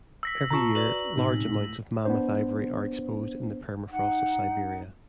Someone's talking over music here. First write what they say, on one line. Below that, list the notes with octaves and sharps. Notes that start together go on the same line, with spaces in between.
Every year, large amounts of mammoth ivory are exposed in the permafrost of Siberia.
E6 A#6 B6
B2 F4 A5 A#5 C#6
F#4 B4 D5 F#7
C#2 A2 C3 C#4 D#4
A2
B3 D4 C5
D#4 F#5